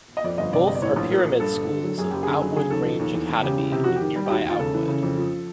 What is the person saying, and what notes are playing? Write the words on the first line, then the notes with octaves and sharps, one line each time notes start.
Both are pyramid schools of Outwood Grange Academy in nearby Outwood.
D#5
F2 D5
G1 D#5
C3 D5
G1 D#5
D5
A2 C#5
A#1
F3 A#4
A#1
G2 A4
G1
D3
F#3
F#2 G#4
F#1 G4
D3 G#4
F#3
C#3 G#4
D#2 A4
F3
D#2
E2
E1
C#3 G4
E3
C3 G4
F2 F#4
G4
D#3
G3
G4
D#2 F#4
E1 F4
C#3 A4
E3
C#3
F2
F3